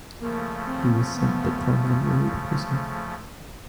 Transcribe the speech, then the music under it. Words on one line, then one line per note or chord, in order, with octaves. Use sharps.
He was sent to Crumlin Road Prison.
C#3 F3 A3 A#3
C4
B3